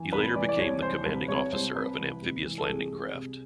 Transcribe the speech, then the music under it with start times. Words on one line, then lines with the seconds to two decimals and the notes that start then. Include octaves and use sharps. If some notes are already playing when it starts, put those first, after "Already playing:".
He later became the commanding officer of an amphibious landing craft.
Already playing: E3
0.13 C2 B4
0.36 E3 D5
0.49 D5
0.59 C2 C#5
0.82 E3 C5
1.06 C2 B4
1.28 C2 C#5
1.53 C2 C5
1.75 C3 B4
1.98 E3
2.22 C2
2.45 E3
2.58 A4
2.69 C2 G#4
2.92 C2
3.15 C3